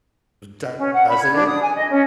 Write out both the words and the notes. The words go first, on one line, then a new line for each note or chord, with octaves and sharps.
Doesn't it?
C#4
F#5
B5
G#6
D4
D#6
G#5
D#5
C#4